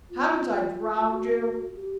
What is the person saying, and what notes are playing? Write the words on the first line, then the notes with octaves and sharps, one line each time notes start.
'Haven't I drowned you?'
F4
F#4
G4